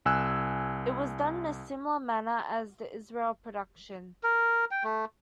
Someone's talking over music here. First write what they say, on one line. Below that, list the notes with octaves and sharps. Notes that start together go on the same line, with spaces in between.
It was done in a similar manner as the Israel production.
C2 G#5 E6 F#6
A#4
G5
A3